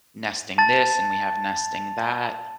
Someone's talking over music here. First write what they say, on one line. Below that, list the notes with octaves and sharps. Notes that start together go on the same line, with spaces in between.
nesting this and we have nesting that.
A5 A6